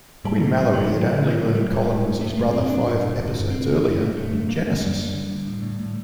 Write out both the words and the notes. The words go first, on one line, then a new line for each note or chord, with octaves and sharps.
Quinn Mallory had only learned Colin was his brother five episodes earlier in "Genesis".
A2 G3
A2 A#3
A2 G3
A2 F#3
A2 D#3
A2 D3
A2 D#3
A2 F#3
A2 G3
A2
A2
A2
A2 A3
A2 A#3
A2 C4
A2 D4
G2
G2
D3
G2
G2 C4
G2 A#3
D3 A3
D3 A3
F#2 A3
D3
D3 A#3
F#2
F#2 G3
D3
D3
D3
A2
A2
A2